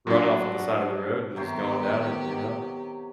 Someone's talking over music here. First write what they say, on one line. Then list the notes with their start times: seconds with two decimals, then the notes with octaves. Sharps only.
runoff on the side of the road and just going down it, you know?
0.07 A#2 F#3 D4 F#4
1.36 C3 D#3 F#3 B3 G4 G5